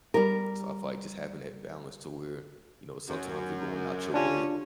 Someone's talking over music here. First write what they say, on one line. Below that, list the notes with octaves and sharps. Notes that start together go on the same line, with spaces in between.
So I feel like just having that balance to where, you know, sometimes you're going out your way
G3 A#4
F#2
D3 C#4 D4 F4 G4